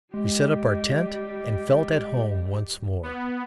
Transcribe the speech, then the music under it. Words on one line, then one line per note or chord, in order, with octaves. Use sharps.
We set up our tent, and felt at home once more.
G3 G#3 G4 D#5
B3